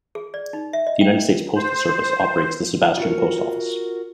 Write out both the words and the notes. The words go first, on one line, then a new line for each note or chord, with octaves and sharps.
The United States Postal Service operates the Sebastian Post Office.
G#4
D5
D#4
E5
D#5
G5
C5
F4 F#4 A#4